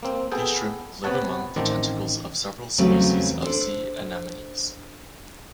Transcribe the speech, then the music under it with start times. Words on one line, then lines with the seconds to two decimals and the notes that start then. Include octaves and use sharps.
These shrimp live among the tentacles of several species of sea anemones.
0.03 A#3 C4
0.32 B3 G#4 A4 G5
1.04 C3 B3 B4 C#5 F#5 A5
1.56 A1 D#3 C4 D5
2.78 E2 C#3 F#3 G3 A3 C4
3.42 D4 A4 C5